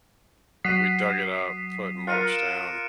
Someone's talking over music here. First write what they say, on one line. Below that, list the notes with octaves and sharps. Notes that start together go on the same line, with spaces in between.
we dug it up, put mulch down,
F#3 F#5 D#6 B6 C7 D#7
F4 A#4 F#6 C#7 D#7
D7 E7